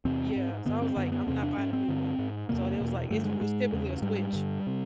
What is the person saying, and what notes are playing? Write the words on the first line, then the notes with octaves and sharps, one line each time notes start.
Yeah, so I was like, "I'm not buying a new one." So they was, like, "It’s ris typically a switch."
E2 C3 C4
G#2
G2 D3 B3
C4
F#2 D3 B3
B3
E2 C3 C4
D4
G#2 C#4
C4
G2 D3
G#2
E2 C3 A#3
E2 B2
G2 D3 A3
G#3
G#2 G#3
E2 C#3
G#2 G3
G2 D3
C3